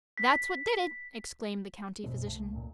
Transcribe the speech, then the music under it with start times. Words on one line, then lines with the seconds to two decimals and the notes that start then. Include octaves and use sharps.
"That's what did it!" exclaimed the county physician.
0.18 B6
2.03 F#1 B2 G#3 C4
2.26 C2 A3
2.52 C#2 A#2